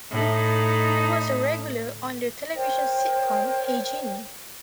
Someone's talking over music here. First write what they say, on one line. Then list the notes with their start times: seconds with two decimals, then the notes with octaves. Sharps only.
He was a regular on the television sitcom Hey, Jeannie!
0.12 A2 A3 D#4
2.55 A#4 C5 C#5 G5